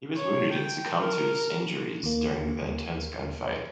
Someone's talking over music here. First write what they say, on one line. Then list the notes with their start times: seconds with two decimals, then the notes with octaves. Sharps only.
He was wounded and succumbed to his injuries during the intense gunfight.
0.16 C#5
0.52 G5
1.00 A#4
2.03 D#2 A#3